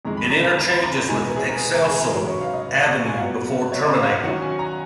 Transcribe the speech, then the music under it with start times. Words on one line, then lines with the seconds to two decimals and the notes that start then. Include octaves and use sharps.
It interchanges with Excelsior Avenue before terminating.
0.05 F2 D#3 G#3 A#5
0.17 B5
0.30 A#5
0.44 B5
0.57 A#5
0.70 B5
0.83 A#5
0.96 A#5
1.09 B2 G#3 D#4 G#5
1.23 B4
1.36 G#4
1.49 A#4
1.62 B4
1.74 A#4
1.88 G#4
2.01 A#4
2.14 G#2 F#3 C#4 B4
2.27 C#5
2.41 F5
2.53 D#5
2.66 B4
2.80 C#5
2.93 A#5
3.06 G#5
3.14 F5
3.20 A#2 F#3 B3 F#5
3.72 C#5
3.84 D#5
3.98 F5
4.10 F#5
4.24 D#3 F#3 C#4 F#5
4.42 G#5
4.59 A#5